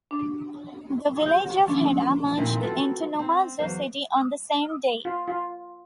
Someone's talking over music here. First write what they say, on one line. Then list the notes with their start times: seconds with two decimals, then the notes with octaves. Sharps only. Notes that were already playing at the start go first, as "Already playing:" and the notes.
The village of Heda merged into Numazu City on the same day.
0.11 D4
1.26 G4 G6
1.68 F3 C#4 D4
2.37 A#2 F3 C4 D#4 E4
2.60 C4 F4 F#4 A4 B4
3.19 C4
3.59 E2 F#3 C5 F5
5.05 F4
5.27 F4